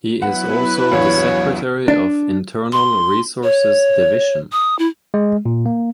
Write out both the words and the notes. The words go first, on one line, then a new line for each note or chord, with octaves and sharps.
He is also the secretary of Internal Resources Division.
F#3 B3 E4 B4 F#5
A#1 E2 G2 C#5
D4
C6
C#5
D#6
E4
G#3
A#2
A#3